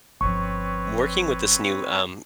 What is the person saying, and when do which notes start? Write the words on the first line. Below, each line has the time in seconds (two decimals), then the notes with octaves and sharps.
working with this new, um,
0.21 G1 F3 C4 B4 C#5 C#6